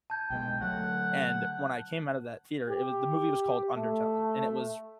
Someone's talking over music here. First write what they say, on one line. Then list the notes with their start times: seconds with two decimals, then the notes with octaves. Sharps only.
and when I came out of that theater, it was the movie was called Undertow, and it was,
0.10 A5 G6 G#6
0.30 B1 B2 G#3 G5
0.62 D3 F#3 A3 F#5
2.70 G4
3.76 A3